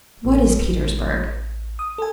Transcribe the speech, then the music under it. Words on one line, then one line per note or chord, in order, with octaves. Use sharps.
What is Petersburg?
A1
D#6
A4 G#5